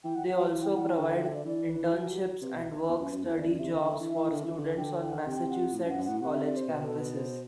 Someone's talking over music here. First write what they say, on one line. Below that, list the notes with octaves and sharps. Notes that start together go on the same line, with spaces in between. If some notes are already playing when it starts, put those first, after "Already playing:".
They also provide internships and work study jobs for students on Massachusetts college campuses.
E3 G5
F#5
F#5
F#3
E3
G5
F#5
G5
D3 G5
G5
E5
D5
E3 D5
B4
F#3
G4
C3 B4
B2
E2
F#2
F#2
E2
E2 D5
F#2
C3 E5
D3
D3
E3
E3
D3
E3
D3
D3 G5
G5
F#5
C3 G5
F#5
A2
F#2
F#5
F#2
A2 F#5
C3 F#5
E5
D5
C5
B2 B4
A4
B4
C5